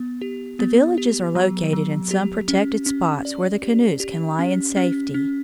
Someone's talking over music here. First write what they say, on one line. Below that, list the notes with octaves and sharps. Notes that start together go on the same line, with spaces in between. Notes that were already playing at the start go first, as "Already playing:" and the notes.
The villages are located in some protected spot where the canoes can lie in safety.
Already playing: B3
G4
B3
G4
F#3
F#3
G4
C#4
C#4
D5
G4
G4
C#4
C#4
C#4